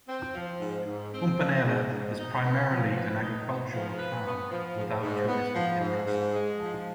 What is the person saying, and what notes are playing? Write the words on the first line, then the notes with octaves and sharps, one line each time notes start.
Mponela is primarily an agricultural town without touristic interest.
C4
F3
G#2
G#2
C4
F3
G#2
G#2
D#4
B3
F3
B4
D#4
B3
F3
B4
B3
F3
G#2
G#2
B3
F3
G#2
G#2
G#3
F3